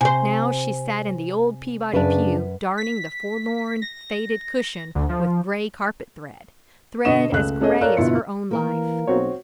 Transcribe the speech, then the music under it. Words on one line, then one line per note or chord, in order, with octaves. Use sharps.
Now she sat in the old Peabody pew darning the forlorn, faded cushion with grey carpet-thread: thread as grey as her own life.
C3 C5 G#5
F#2 C#3 D4 B4
B6
A#6
D2
F3
B2 D3 D#5 C#6 E7
C#2 A3 F#6
A3 C#4 G#4 D#5
A4 A#4 C#5 D5 F5 F#6
G1 B2 E4 F4 C#7
E3 A#3 A#4
B1 C4 F#4 C#5